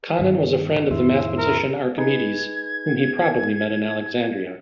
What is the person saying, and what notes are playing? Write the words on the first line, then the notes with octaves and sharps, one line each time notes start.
Conon was a friend of the mathematician Archimedes whom he probably met in Alexandria.
G2 D#3 G3
F2 A2 D#3 E4 C5 E5
A#4
D#4 G#4 B4 G#6